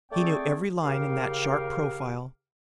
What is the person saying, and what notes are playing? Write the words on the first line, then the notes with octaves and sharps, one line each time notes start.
He knew every line in that sharp profile.
A3 C4 G#4 D5 G5 C#6
D#2 C#3 G4 A#4 F5 G5